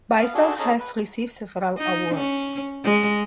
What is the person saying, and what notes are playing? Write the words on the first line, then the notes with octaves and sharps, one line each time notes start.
Beissel has received several awards.
B3 F5
D4 F#4 G#4 A4
C#4 D#4 G#4 A4
B4
D#4
C#4
G#3